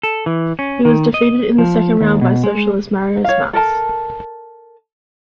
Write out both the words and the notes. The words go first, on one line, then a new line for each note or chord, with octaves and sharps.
He was defeated in the second round by Socialist Marius Masse.
A4
E3
C#4
D#3
D#5
F3
D#2
B2
G#3
C#5 F5
A4 A#4 A5